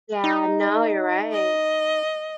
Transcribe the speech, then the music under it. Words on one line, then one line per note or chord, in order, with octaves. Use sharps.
Yeah. No, you're right.
D#4
D#5